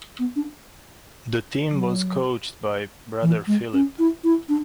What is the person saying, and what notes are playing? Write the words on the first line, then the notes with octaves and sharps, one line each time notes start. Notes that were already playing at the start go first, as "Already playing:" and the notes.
The team was coached by Brother Philip.
B3
D4
F#3
E3
G#3
C#4
E4
E4
D4